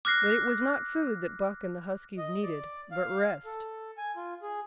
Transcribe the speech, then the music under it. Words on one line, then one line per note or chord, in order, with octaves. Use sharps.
But it was not food that Buck and the huskies needed, but rest.
D6 F6 F#6 A#6 C7
D#5
D5
F5
A4
G#5
F4
G#4